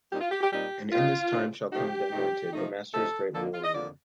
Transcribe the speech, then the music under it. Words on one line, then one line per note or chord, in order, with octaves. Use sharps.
And in this time shall come the Anointed, the Master's great warrior...
A#2 G3 C4 D#4 G4
F4
G4
G4
A#2 G3 C4 D#4 G4
A#2 G3 C4 D#4 F4
A#2 G3 C4 D#4
C3 F3 A3 D#4 G4
C3 F3 A3 D#4
C3 F3 A3 D#4
C3 F3 A3 D#4 A4
F2 D3 F3 A#3 A4
F4
D#5
F2 D3 F3 A#3 D5